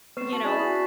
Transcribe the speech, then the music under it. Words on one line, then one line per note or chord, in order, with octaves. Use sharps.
you know,
B3 C4 B4 C#6 C7 E7
F#4 A5 C#6 F#7
C#4 E4 G#4 D5 A6 B6 E7
F#4